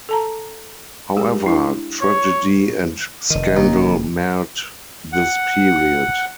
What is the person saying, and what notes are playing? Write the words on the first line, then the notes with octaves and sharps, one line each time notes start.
However, tragedy and scandal marred this period.
A4 A5 A#5
G#3 G4 G#4
D4 E4
C#5
F1 D#3 D#5
D#2 A#3
F#5